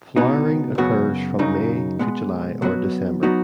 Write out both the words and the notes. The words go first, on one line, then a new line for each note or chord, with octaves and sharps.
Flowering occurs from May to July or December.
C#2 B2 B3 D#4
F#2 C#3 B3 F#4
F#2 C#3 F#3 D#4
B2 G#3 B3
B2 F#3 B3 F#4
F#3 B3 D#4 F#4